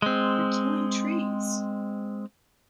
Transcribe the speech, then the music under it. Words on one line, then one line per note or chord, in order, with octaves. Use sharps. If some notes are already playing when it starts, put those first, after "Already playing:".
You're killing trees!
G#3 C4